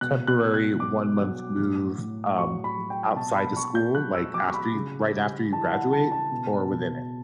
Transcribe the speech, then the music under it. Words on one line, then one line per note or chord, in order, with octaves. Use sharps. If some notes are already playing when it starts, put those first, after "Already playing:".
temporary one-month move, um, outside the school, like, after you right after you graduate or within it?
B2 F#6
F#6
B2
F#6
F#3 D6
F#3
A2
A2
F#3 C#6
B5
F#3
G5
B2 A5
B5
B2 C#6
G6
F#3 F#6
E6
F#3 D6
C#6
B5
C#3
G3
E3 A5
F#5
C#3 A5
A5
B2
B2